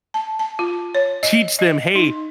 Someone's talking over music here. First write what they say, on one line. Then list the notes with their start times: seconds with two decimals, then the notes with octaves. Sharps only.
Teach them, "Hey,
0.14 A5
0.39 A5
0.59 F4
0.95 C#5
1.23 D#5
1.59 D#5
1.96 D#4